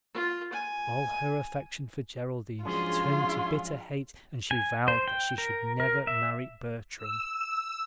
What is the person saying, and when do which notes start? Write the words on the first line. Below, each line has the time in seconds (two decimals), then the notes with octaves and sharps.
All her affection for Geraldine turned to bitter hate and she vowed that she should never marry Bertram.
0.14 F4
0.53 G#5
2.65 G#2 F3 F#3 C#4 D4 F4 G#4 C6
4.51 G#5
4.88 C5
5.08 G5
5.38 A#4
5.80 A#4
6.07 E5
6.98 E6